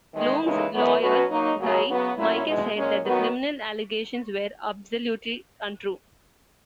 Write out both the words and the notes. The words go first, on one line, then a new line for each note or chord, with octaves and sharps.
"Leung's lawyer, Guy Michael said, that the criminal allegations were "absolutely untrue.
E2 D#3 G#3
D#2 C#3 E3 G#3 D#4
F#2 E3 B3
B2 F#3 C#4 F#4 B4
F#3 A#3 D#4
D#2 C#3 F#3 C#4 G#4
C#3 F#3 B3 F#4
A#2 F#3 C#4 E4
E2 B2 G#3
A#2 G#3 C#4
D#3 F#3 B3 F#4